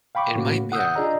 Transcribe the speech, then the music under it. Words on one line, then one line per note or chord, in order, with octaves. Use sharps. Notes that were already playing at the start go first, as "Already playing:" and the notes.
It might be a
F5 G5 B5 C#6 D6
A2 C#3 A#3 C#4 F#4
F#5 D#6 E6 G6
D4 F4 G#4 D5 D#5 A#5